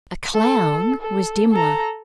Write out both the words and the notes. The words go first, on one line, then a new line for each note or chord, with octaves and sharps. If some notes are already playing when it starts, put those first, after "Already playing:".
A clown was Dimmler.
A4
A4
A4 A#5